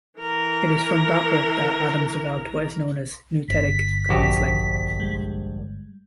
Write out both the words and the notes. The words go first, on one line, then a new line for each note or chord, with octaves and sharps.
It is from that book that Adams developed what is known as nouthetic counseling.
E3 A#4
G1 B6
A#1 F#4 G4
G3 G#3